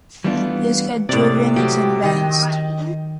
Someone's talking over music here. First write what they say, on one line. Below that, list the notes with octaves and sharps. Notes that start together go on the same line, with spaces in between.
This has driven its advance.
E3 G3 A3 B3 D4 F4
A2 C3 D5
F#3 G4
D#3 D#5 G5